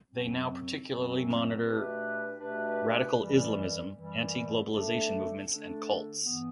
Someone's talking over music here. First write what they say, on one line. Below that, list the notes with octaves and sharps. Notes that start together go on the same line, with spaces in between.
They now particularly monitor radical Islamism, anti-Globalization movements, and cults.
F#2 F#3 C4
F#2 F#3 C4
B2 A3 D4 G4 B4
B2 A3 D4 G4 B4
F#2 E3 G3
F#2 E3 G3
D3 A3 D4 A4
D3 A3 D4 A4
G2 E3 B3